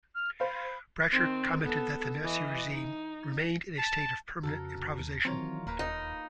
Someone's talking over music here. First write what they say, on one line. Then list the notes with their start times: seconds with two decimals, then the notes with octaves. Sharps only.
Bracher commented that the Nazi regime "remained in a state of permanent improvisation".
0.15 F6
0.40 C5 F5 B5
1.12 D#3 C4
1.62 B3 A4
2.23 E3 D#5
2.73 D#4
3.78 A5
4.43 F2 C#3 F#4 A4 A#4
4.99 D#2
5.25 D#3 E3 F#3 C4 F4 A#4 C#5
5.67 D1 A#3 A#4 B4
5.79 D#2 D#4